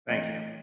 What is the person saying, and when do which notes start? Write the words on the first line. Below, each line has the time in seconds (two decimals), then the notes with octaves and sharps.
Thank you.
0.09 E3 A3 C4 D#5